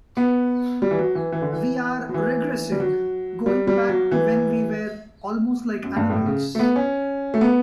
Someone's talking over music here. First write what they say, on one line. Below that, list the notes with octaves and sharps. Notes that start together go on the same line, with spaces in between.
We are regressing, going back to when we were almost like animals.
B3
G3
E3
F#3
E3
E3
D3
E3
F#3
E3
G3
F#3
G3
G3
F#3
E3
F#2
G2
A2
C#3
A3
B3
C#4
A3
B3